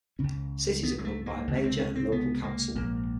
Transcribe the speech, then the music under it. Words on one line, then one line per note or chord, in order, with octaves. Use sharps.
Cities are governed by a mayor and local council.
C#2 C#3 C#4
B3
G#3
A3
A#3
C#2 C3
C#4
C4
C#4
C4
B3
A#3
A#1 G#2 A#3